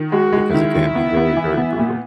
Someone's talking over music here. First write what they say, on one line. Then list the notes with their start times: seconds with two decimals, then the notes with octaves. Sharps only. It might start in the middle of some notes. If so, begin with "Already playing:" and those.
because it can be very, very brutal.
Already playing: D#3
0.11 G#3 F#4
0.33 G#3
0.54 D#3 E4
0.75 D#3
0.95 B3
1.16 B3
1.37 E3
1.57 B3
1.79 A#2